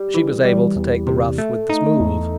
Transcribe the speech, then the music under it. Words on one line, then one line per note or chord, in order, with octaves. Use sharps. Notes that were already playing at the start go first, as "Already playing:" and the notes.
She was able to take the rough with the smooth.
Already playing: G3
E3
G3
E2
C3
A3
D#4
E2